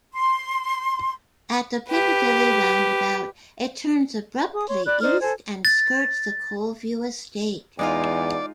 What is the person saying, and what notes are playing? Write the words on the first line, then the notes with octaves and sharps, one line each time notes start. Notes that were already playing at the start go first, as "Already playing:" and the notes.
At the Piccadilly roundabout it turns abruptly east and skirts the Coleview Estate.
C6
G4 B4
G#4 D#6
C#5 C6
D5 B5 F#6
D#4 C5 D5 F6
A4 C5 G#5 G#6
A6
E2 G#3 D#4 F4 D5 G#5